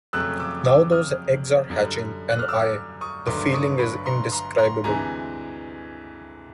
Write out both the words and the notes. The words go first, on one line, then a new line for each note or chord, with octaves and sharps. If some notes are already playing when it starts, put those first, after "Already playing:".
Now those eggs are hatching and I... the feeling is indescribable.
F2 C#3 F#3 A3 E6 F#6
D6 E6
D6 E6
D#6 F6
F#2 D3 G3
F#6
F6
D6 E6
C#6 D#6
G1 G2 D#3 F#3 A3 C6 D6
C#6 D#6
B5 C#6
A#5 C6
A#5 C6
A#5 C6
D2 C3 E3 G#3 G#5 A#5